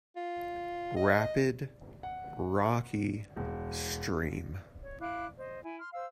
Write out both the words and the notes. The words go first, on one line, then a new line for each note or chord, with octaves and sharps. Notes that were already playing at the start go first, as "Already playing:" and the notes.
Rapid Rocky Stream.
F4
D#5
F#5
E1
C#5
E4 F5 D6 F#6
C5 D#5
E4 G#5
C6 F6
C5 F5 E6